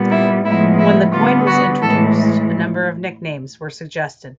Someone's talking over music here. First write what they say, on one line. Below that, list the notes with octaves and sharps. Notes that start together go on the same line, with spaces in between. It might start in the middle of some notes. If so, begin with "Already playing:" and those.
When the coin was introduced, a number of nicknames were suggested.
Already playing: A#2 G3 B3
E4
A2 F3 G#3 B3 E4
E4
D3 G3 B3 F4
F#4
A2 E3 G#3 A4